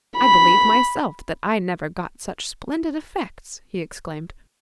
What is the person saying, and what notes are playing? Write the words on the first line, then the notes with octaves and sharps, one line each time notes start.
"I believe myself that I never got such splendid effects!" he exclaimed.
B5